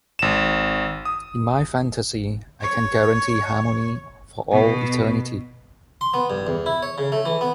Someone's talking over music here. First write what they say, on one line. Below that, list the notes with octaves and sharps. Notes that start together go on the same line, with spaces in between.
In my fantasy, I can guarantee harmony for all eternity.
G#1 E7
D#6
C#5
B2
C6
B3
G2
E2
E4
C#5
C#3
A3
E3
B3